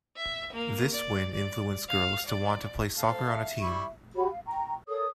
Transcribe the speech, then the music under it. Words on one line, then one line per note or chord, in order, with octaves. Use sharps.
This win influenced girls to want to play soccer on a team.
E5
A#3
D5
D5
F5
D5
A4 F5
C5
E5
G3 E4 C#6
F#4 G4 C#5 B5
F5
G5 A#5 C#6
A4 A#4 C#5 D#6